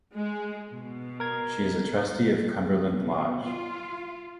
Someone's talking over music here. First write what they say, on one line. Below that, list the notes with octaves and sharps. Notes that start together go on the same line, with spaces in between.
She is a trustee of Cumberland Lodge.
G#3
B2
A#4 G#6
B2
F4